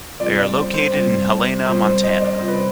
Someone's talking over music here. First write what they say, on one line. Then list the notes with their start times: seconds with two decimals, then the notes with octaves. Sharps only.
They are located in Helena, Montana.
0.19 C3 G3 C4 F4 D5
0.38 D5
0.57 C5
0.74 C5
0.93 C3 G3 C4 F4
1.66 C3 G3 C4 F4 C5
1.84 C5
2.03 D#5
2.21 D5
2.39 C3 G3 C4 F4 C5
2.48 B4
2.56 C5